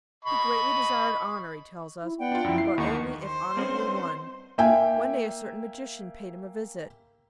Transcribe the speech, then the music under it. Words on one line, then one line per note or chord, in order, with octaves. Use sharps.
He greatly desired honour, he tells us, but only if honourably won. One day a certain magician paid him a visit.
D#5 B5 C#6
E4
B3 D5 F#5 G5
D4 F4
F#2 F3 E4
C7
D#2 A#3 D#4 F#5 C#6
C5
G2 C4 C#4
A#3 E5 G5 G#5